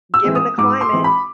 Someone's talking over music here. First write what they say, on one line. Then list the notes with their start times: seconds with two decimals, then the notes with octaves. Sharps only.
given the climate,
0.14 E6
0.24 E3 G#3 C4
0.35 D#6
0.58 G#2 D6
0.81 C6
0.93 E3 G#3 C4
1.04 B5